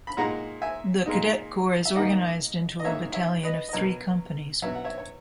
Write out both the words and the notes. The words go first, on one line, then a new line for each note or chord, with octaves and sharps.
The cadet corps is organized into a battalion of three companies.
B5
A#2 G#3 D#4 F#5 A#5
E5 G#5
A#2 G#3 D#4
E5
G#2 D#3 A#3 D#5 F#5
D#5
G#2 D#3 A#3 C#5 E5
C#5 E5
B4 D#5
D#5
B2 F#3 B3 A#4 C#5
B2 F#3 B3 C#5 E5
F#5
C#5 E5
C#5